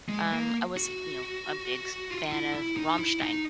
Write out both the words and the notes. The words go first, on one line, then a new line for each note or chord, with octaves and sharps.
um, I was, you know, a big f fan of Rammstein.
G#3
A#3
F#4
F4
E4
E4
D#4
E4
D#4